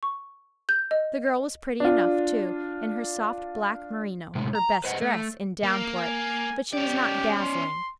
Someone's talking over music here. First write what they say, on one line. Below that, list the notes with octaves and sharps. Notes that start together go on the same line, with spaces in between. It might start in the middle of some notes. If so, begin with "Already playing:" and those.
The girl was pretty enough, too, in her soft, black merino--her "best" dress in Downport--but she was not dazzling.
C#6
G6
D#5
D4 F4
A2 C3 G#3
A#5
B4 C5 D#5 F#5
A3
A#3
G#5
C#4 G4 D5
C6